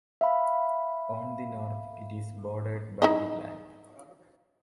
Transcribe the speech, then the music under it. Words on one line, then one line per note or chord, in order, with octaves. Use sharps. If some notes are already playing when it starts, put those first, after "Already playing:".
On the north, it is bordered by the Gland.
E5 F5 B5
D#4 E4 D#5